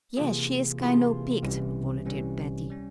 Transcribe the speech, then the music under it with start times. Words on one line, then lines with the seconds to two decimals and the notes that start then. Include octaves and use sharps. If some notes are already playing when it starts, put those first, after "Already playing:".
"Yes, she is kind o' peaked," volunteered Patty.
0.17 C3 E3 A#3 F4 G#4
0.80 C3 E3 A#3 F4 G#4
1.42 C2 C3 E3 G3 C#4
2.05 C2 C3 E3 G3 C#4
2.70 G3 C#4